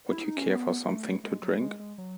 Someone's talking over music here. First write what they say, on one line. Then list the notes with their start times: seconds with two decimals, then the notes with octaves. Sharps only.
Would you care for something to drink?
0.11 E4
0.24 D#4
0.37 C#4
0.50 B3
0.87 A3
1.24 G#3
1.43 F#3
1.61 G#3
1.79 G#3
1.98 F#3